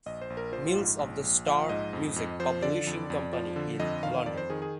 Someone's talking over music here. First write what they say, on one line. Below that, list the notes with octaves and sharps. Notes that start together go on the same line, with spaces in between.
Mills of the Star music publishing company in London.
A#1 D#5
C5
A#1
A#4
F3 C5
F4
G#2
A#1
A#1
F3 F5
G#2 D#5
F2
F2
F3 C5
D3 D5
F2
F2
F3
D3
F2 D#5
D#3 F5
F2 D5
C5
D#3 G#4
G#4